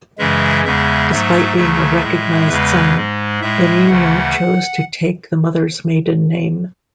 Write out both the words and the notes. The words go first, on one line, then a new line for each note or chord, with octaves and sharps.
Despite being a recognized son, Benigno chose to take the mother's maiden name.
F#2 C#3 E3 G#3 E5
E2 C#3 G#3 E5
G#2 F#3 A3 E5
D2 C#3 F#3 A3
A2 G#3
E2 C#3 G#3 B4
G#2 G#3
A2 G#3 E5
D2 C#3 E3 A3 F#5